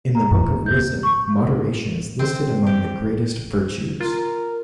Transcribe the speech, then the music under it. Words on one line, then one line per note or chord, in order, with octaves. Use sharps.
In the Book of Wisdom moderation is listed among the greatest virtues.
A#5
G6
C#6
C4
G4
F4 A#4